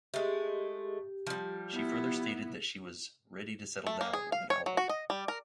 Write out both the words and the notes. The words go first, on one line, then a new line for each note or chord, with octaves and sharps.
She further stated that she was "ready to settle down with an album".
G#3 A3 G4
F3 G3
B3 E4
A3
A#3
G#4
F5
C#5
F#3
F#4
D#5
G3
A#4